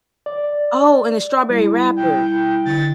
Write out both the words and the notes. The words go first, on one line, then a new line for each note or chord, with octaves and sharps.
Oh, in a strawberry wrapper.
D5
G3 E4
G5
D2 D3 A6